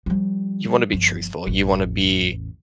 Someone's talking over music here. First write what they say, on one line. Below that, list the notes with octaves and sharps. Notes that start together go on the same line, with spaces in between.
you want to be truthful. You wanna be
F3 G3
G1 F3
A1 E2